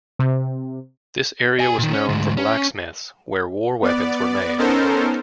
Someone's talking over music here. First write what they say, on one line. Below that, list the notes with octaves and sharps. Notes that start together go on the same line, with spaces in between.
This area was known for blacksmiths where war weapons were made.
C3
G4 G#5
A#2 D#3
C#4
D2 G#2
C#4
B3 D5
B3 C#4 D#4 A4 A#4 C5